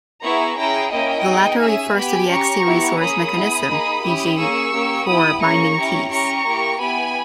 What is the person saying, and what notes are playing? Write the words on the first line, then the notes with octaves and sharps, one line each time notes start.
The latter refers to the Xt resource mechanism, e.g., for binding keys.
B3 E4 G#4 A#5 C#6
C#4 E4 G#4 G5 A#5
A#3 C#4 E4 D#5 G5
B3 D#4 G#4
C#4 G#4 E5 G#5
B3 G4 G#5 B5
C#4 G4 A#5 C#6
B3 E4 G4
A#3 C#4 G#4 B5 D#6
B3 E4 G#4
A#3 D#4 G#4
C#4 E4 G4
A#3 C#4 G#4 C#6 E6
A#3 C#4 G4
B3 E4 G4 B5 D#6
A#3 C#4 G#4 A#5 C#6
C#4 E4 G4
C#4 G4 A#5 C#6
A#3 E4 G4
B3 E4 G4 G#5 B5